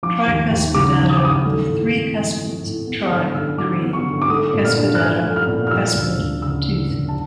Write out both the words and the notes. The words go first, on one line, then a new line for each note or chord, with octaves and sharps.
'Tricuspidata' 'with three cuspids' 'tri' - 'three', 'cuspidata' - 'cuspid', 'tooth'.
F3 D6
D#2
D#2
C#3 D6
F3
D#6
D6
D#2 D#6
A3
A2
C4
F3
A3
A2
B3
D3 F6
D3 E6
F#3 D6
B3
C#6
D3
D6
A3 D#6
A#2
F6
D4
F#6
F3 F6
A3
F6
A#2
F6
F3 E6
D2
D2
C#3 E6
F3
D2
A5